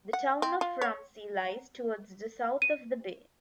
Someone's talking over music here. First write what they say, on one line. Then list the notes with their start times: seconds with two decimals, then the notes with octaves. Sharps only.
The town of Ramsey lies towards the south of the bay.
0.13 F#5
0.42 C4
0.61 F4
0.82 C#5
2.62 D#7